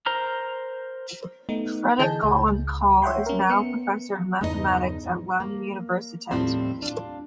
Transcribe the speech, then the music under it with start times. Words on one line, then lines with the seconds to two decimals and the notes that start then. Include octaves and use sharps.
Fredrik "Gollum" Kahl is now professor in mathematics at Lunds universitet.
0.06 A#4 C5 A#5 F6
1.49 A3 B3 D#4
1.99 D3 E3 G#4 D#5 A5 G6
2.23 C#2
3.02 C#5 E5 F#5 G5 C6
3.26 C#4 A#4
3.50 B3 C#7
4.41 E2 G2 C#3 D#4 A4 D#5
5.04 G#2
5.40 A#3
6.31 D#2 A2 F3 G3 C4 C5
6.82 D4 F4